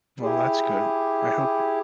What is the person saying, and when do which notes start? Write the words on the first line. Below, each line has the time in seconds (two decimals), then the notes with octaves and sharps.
Well, that's good, I hope it
0.22 E4 G4 G#4